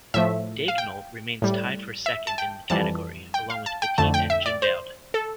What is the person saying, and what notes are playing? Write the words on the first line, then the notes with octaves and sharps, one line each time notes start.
Daigneault remains tied for second in the category, along with Petit and Jim Dowd.
A2 F3 A3 E5
F5
G5
A2 G3
E5
A5
G5
F2 E3 G3 A5
G5
F5
A5
G5
F2 D3 A3 A5
G5
E5
D5
C5
A4